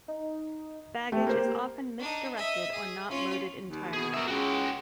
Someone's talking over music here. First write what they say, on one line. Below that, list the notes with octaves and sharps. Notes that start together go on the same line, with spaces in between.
Baggage is often misdirected or not loaded entirely.
D#4
A3 G4
A#3 C5
D4 D#4
D#5 E5
G#4
C#4 F4
D#2
B2 G#4
A#4 E5
C#2 F#4 G5